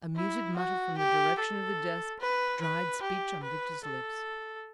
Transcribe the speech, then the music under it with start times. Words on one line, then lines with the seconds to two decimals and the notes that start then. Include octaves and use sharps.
A muted mutter from the direction of the desk dried speech on Victor's lips.
0.16 E4
0.57 F#4
0.98 G4
1.39 A4
2.20 B4
2.61 B4
3.02 G4
3.44 B4
3.84 A4